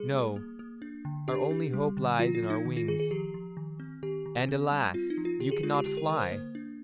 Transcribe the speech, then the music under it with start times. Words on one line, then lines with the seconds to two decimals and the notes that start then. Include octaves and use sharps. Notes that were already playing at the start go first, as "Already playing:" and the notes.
No, our only hope lies in our wings--and, alas! you cannot fly!'
Already playing: G3 G#4
0.13 A#3
0.36 A#3
0.59 A#3
0.82 D4
1.05 D3
1.28 D4 G4
1.51 D4
1.73 G3
1.97 D3
2.19 F3 F4
2.35 F4
2.42 F3
2.50 D#4
2.65 D#3
2.77 F4
2.88 D#3 G#4
3.00 G#4
3.11 F3 G4
3.34 F3
3.57 D#3
3.80 C4
4.03 D#3 G4
4.26 D#3
4.49 C4
4.71 G3
4.94 C4 F4
5.10 D#4
5.17 F3
5.25 F4
5.40 D3 G4
5.51 G#4
5.63 G#3 F4
5.74 G4
5.86 D3 G4
5.97 A#4
6.09 D3 A#4
6.20 C5
6.32 A#3
6.55 D4